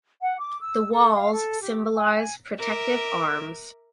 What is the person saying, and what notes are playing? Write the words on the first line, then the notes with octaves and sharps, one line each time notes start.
The walls symbolize protective arms.
F#5
D6
E6
A4
F5
A4
G4
G#5
G#5
A#4 E5 D6